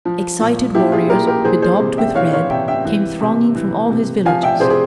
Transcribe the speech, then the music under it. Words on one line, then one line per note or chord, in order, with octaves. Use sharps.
Excited warriors, bedaubed with red, came thronging from all his villages.
F3
A#2
F3 E4 G4
F4 G#4
A#2 G4 A#4
G4 A#4
E3 G#4 C5
G#4 C5
C3
E5 G5
E3 C#5 F5
C#5 F5
C3 E5 G5
E5 G5
E3
C3
E3
C3
F3 F5 G#5
E5 G5
C3 G#4 C5
G#4